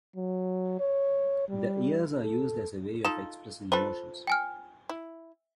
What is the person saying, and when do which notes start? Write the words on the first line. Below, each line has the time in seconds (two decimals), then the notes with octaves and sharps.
The ears are used as a way of expressing emotions.
0.16 F#3
0.80 C#5
1.49 G3
2.19 A4
3.05 D#4 F4 A4 E7
3.72 F4 A4 B4 C5
4.27 G5 G#5 F6
4.89 E4